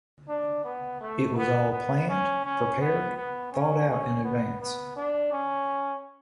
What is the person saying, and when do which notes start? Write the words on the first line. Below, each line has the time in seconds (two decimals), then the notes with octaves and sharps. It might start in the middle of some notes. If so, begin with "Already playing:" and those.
It was all planned, prepared, thought out in advance.
0.28 D4
0.64 B3
1.00 A3
1.36 B3
1.71 B3
2.08 C#4
2.44 C#4
2.80 B3
3.16 B3
3.52 C#4
3.88 C#4
4.24 B3
4.60 B3
4.96 D4
5.32 C#4